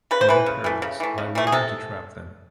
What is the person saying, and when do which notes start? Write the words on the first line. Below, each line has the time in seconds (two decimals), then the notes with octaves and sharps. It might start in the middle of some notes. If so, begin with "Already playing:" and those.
Many perils lie waiting to trap them.
0.11 C#3 B4
0.21 C5
0.29 E3 A3 B4
0.46 C#3
0.64 E3 A3
0.82 C#3
1.00 E3 A3
1.18 C#3
1.35 E3 A3
1.47 G#4
1.52 C3 A4